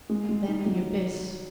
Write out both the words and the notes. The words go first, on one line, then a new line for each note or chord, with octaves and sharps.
Then the abyss.
G#3
G#3
D#4
F#3